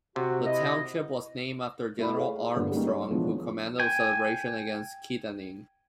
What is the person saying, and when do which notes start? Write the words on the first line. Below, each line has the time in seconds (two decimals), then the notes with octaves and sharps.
The township was named after General Armstrong who commanded the celebration against Kittanning.
0.16 C3 F#4
0.45 E4 D#5
1.98 A3 E4 B5
2.16 G#4 C#5 F5
2.56 G2 D3 B3
2.72 G3 G#3 A#3 C#4 D#4
2.87 C#5
3.11 E2 E3 F3 G#3 B3 D4
3.79 G5 G#5